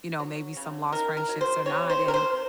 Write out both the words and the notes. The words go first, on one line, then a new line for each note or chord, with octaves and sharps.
you know, maybe some lost friendships or not." And,
F#3
C#3
D#3 A#4
A#4
F#3
C5
C3 C#5
C5
C3
A#4
C5